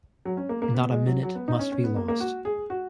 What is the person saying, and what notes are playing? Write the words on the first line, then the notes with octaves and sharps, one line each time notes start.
Not a minute must be lost.
F#3
C#4
A#3
A#3
B3
G#3
F#3
F#3
B3
D#4
C#4
C#4
B3
A#3
A#3
F#4
G#4
F#4